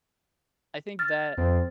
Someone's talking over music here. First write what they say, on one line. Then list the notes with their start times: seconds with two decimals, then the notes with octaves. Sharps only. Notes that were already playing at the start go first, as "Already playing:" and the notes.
I think that,
0.99 F6 A6
1.37 F2 C4